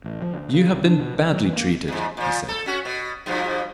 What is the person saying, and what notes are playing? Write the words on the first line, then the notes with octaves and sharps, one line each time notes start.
"You have been badly treated," he said.
A1
F3
D2
C#3
C2
D4
B2
C2
F#3
E3
A#3
E2 G#2
A#2 F3
A4
C#4 F#4
B2
G2 B2 F3